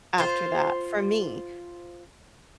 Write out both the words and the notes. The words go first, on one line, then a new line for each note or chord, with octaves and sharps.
after that, for me.
F4 C5